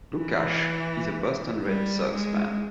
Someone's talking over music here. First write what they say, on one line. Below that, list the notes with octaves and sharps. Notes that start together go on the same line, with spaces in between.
Lucash is a Boston Red Sox fan.
E3
G3
G#3